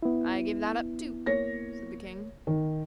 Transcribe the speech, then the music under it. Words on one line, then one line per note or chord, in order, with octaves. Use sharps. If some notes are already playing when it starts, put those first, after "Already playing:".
"I give that up, too," said the King.
B3 E4
A#3 C#5 A#6
D#3